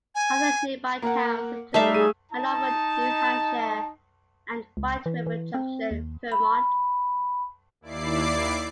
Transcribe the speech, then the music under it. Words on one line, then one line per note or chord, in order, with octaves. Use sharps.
Other nearby towns include Hanover, New Hampshire and White River Junction, Vermont.
G#5
A#3 A#4 F#5
G3 A3 D#4 D5 E5 F5 A5
G#4 D#7
D#4 A5
C#2
E3
E3
C4
D#2
B5
D#2 E4 D5 D6 C7